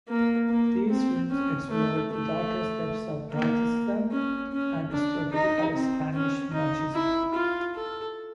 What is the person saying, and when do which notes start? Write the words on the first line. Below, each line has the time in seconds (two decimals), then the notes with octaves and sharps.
These films explored the darkest depths of eroticism and stereotypical Spanish machismo.
0.09 A#3
0.49 A#3
0.89 C4
1.30 C#4
1.70 A3
2.11 A3
3.32 A#3
4.11 C#4
4.52 C#4
4.92 D4
5.32 D#4
5.74 C4
6.14 C#4
6.53 D#4
6.94 E4
7.34 F4
7.75 A4